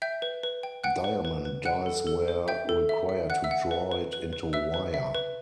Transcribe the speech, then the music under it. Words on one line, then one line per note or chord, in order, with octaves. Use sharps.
Diamond dies were required to draw it into wire.
E5 G5 G6
B4
B4
G5
F#5 G5 F#6
B4
B4
B4
F#5 G5 F#6
A4
A4
C5
E5 G5 G6
A4
E5
E5
F#5 F#6
E5 E6
F#5
B4
B4
B4
B4
B4 E5 E6
B4
E5
B4